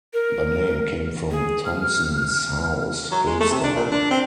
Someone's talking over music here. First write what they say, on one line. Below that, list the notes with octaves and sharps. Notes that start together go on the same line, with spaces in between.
The name came from Thompson's house - "Hillsdown".
A#4
G#4
F6
F#3
G#3
A3
C3
D4
A#2
D4
C4